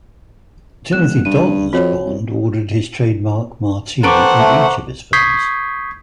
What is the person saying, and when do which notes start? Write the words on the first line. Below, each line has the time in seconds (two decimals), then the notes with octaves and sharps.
Timothy Dalton's Bond ordered his trademark Martini in each of his films.
0.93 E1 F#6 E7
1.25 G2 D#7
1.73 F2 F#4 C#5
2.06 C2
4.03 A4 B4 C5 F#5 G5 A#5 C#6 D6
4.38 A3
5.13 C#6 D#6 G6 G#6 B6 C7